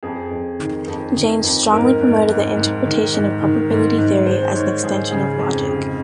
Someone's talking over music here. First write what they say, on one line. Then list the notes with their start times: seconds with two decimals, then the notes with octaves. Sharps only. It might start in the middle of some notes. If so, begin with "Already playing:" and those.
Jaynes strongly promoted the interpretation of probability theory as an extension of logic.
0.03 F2 G#4
0.31 F2
0.59 D#3
0.88 F2
1.16 D#3
1.44 F2
1.72 G#2 A#4
2.01 G#2
2.29 G#2
2.57 G#2
2.86 D#3
3.14 G#2
3.42 D#3
3.70 G#2
3.98 G#2
4.26 G#2 C5
4.55 G#2 C#5
4.83 G#2 G#4
5.11 C#3 G#4
5.39 F2
5.67 C#3 G#4